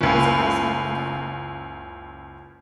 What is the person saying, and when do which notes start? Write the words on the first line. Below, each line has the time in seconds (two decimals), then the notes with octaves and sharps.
Isabel suddenly got up.
0.01 F#1 C#2